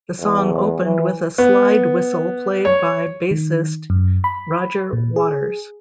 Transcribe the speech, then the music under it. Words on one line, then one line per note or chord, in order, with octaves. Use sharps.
The song opened with a slide whistle played by bassist Roger Waters.
E2
E3
B3
C#5
D#3
F#2
B5
A#2
G#4